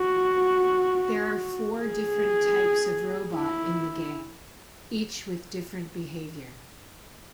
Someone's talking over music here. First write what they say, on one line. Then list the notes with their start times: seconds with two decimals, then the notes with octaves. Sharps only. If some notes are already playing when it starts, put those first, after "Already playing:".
There are four different types of robot in the game, each with different behaviour.
Already playing: F#4
1.80 G#4
3.34 E4